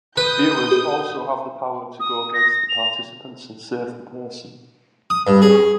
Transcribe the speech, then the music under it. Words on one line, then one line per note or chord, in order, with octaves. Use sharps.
Viewers also have the power to go against the participants and save the person.
B4 D#6 G6
D#6
A#6
A#6
F7
D#6
G2
G#4